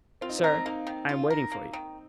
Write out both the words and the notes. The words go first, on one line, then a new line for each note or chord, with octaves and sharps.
"Sir, I am waiting for you."
C4 F4
D#4
C4
D#4 A#4
C4
A#3 D#4
D#3
F4
A#4
A#3
D#3